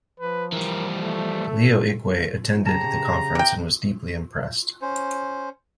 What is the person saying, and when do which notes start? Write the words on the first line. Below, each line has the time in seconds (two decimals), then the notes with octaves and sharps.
Leo Igwe attended the conference and was deeply impressed.
0.20 F3 B4
0.52 E3 G3 A#4
0.99 A3
1.46 A4
2.66 C#3 G4 A5 A#5
3.35 C3 G5
4.82 C#4 C5